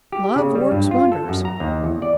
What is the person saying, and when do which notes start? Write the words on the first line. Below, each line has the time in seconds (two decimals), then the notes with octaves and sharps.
Love works wonders.
0.12 G4
0.36 C#3
0.55 G3
0.71 G2
0.91 F4
1.12 A4
1.29 F#2
1.45 A#5
1.60 D#2
1.84 E2
2.02 D5